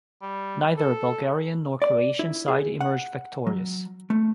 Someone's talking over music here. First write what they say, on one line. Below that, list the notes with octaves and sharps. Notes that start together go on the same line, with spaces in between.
Neither Bulgarian nor Croatian side emerged victorious.
G3
A4
D5
E4
G#4
F#5
F#3
A3